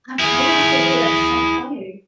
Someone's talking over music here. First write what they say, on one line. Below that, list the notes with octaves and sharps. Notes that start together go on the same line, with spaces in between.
I'm, kind of, the same way. That's so funny,
E4 G#4